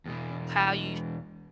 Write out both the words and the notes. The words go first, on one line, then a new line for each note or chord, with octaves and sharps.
W how you
E2 B2